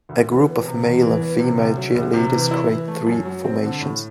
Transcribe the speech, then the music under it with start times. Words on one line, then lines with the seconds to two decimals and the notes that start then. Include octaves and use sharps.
A group of male and female cheerleaders create three formations.
0.09 D2
0.27 E3
0.46 B3
0.65 C3
0.83 E2
1.02 E3
1.21 B3
1.39 C3
1.57 D2
1.77 F#3
1.95 D2
2.13 C3
2.32 E3
2.51 E4
2.69 E3
2.88 A3
3.07 F#2
3.25 F#3
3.44 C4
3.63 D3
3.81 A2